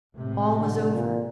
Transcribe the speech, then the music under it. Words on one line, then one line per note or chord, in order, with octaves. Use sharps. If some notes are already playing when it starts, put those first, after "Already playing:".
All was over.
G#1 A2 C3
D3
A#2